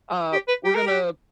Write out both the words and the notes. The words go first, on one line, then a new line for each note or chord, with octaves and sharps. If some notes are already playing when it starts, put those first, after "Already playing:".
Uh, we're gonna,
G4
B4
G4
A#4
G4